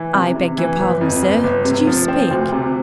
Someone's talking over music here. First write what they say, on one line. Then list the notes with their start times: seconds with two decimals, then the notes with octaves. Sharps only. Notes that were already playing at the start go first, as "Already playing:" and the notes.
I beg your pardon, sir, did you speak?
Already playing: E3
0.14 C3
0.36 C3
0.58 E3
0.79 G1
1.01 F2
1.22 G1
1.43 G1
1.65 C3
1.87 F3
2.08 C4
2.31 D2
2.52 C3